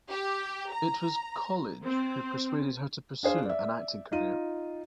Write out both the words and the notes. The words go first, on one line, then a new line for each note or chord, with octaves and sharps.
It was Colledge who persuaded her to pursue an acting career.
G4
A#5
C4
D4 G#4 C5 F5
D5 E5
D#4 F4 D#7